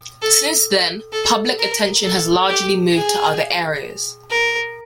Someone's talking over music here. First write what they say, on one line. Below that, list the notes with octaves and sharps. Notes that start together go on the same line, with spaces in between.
Since then, public attention has largely moved to other areas.
A4
A4
A#4
A4
G4
G#4
A#4